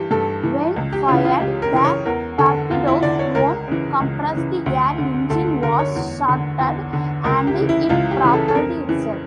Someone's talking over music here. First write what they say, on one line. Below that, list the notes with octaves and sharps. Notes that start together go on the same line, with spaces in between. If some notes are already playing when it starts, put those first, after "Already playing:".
When fired, the torpedo's own compressed air engine was started and it propelled itself.
Already playing: G2 E3 G4
G2 A4
E3
C#2
G4
C#3 E3 F4
F4
C#2 G4
A#4
C#3 E3 A#4
C#5
E2 A#4
D3 A4
E2 F4
E4
D3 D5
C#5
C#2 A#4
C#3 E3
C#2
C#3 E3
D2
D3
D2 A4
D3 A#4
C#5
E2
D3
E2
D3
C#2 A#4
G4
C#3 E3
E4
C#2 F4
G4
C#3 E3
A4
A4
F2 A#4
C#3 E3